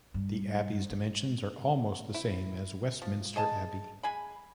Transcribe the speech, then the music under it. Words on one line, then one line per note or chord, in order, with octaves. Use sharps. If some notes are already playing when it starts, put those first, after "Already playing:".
The abbey's dimensions are almost the same as Westminster Abbey.
G2
D4
E4
F3
G#4 D#5 A5
G#3 G#5 B5